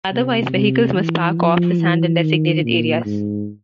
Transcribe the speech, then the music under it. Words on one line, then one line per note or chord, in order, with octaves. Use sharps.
Otherwise, vehicles must park off the sand in designated areas.
C3
C3
E3
F3
E3
D#3
A#2
G#2